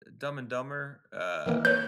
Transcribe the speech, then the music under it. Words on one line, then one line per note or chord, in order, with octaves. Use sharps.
Dumb and Dumber? Uh
D#3 E3 A#3
B4 C#5 G6